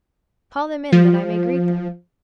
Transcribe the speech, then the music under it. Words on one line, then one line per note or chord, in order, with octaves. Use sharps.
"Call them in, that I may greet them."
F3